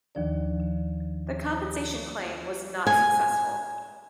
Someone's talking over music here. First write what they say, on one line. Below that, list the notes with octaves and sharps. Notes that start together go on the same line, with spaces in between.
The compensation claim was not successful.
D#2 D#3 F3 D4 D5
G#5